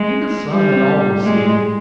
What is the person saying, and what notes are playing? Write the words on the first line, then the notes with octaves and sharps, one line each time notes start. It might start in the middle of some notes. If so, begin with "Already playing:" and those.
Be the sun and all will see you.
Already playing: G#3
G3
G#3